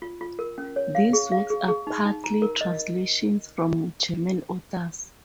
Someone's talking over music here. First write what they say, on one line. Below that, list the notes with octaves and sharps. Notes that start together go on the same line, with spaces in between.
These works are partly translations from German authors.
F4
F4
A#4
C#4
C#5
F5
G#4
F5
G#4
G#4
D#4
D#4
A#5
A#4
D#5